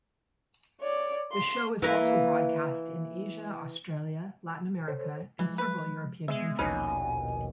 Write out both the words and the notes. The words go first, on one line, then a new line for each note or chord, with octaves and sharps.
The show is also broadcast in Asia, Australia, Latin America, and several European countries.
C#5 D5
C6
E3 A#3 E4
A4 C5 C#5
E3 F3 G#3
B4
G#3 B3 E5
A#1 D#2 B2 C#4 D#4 B4 G#5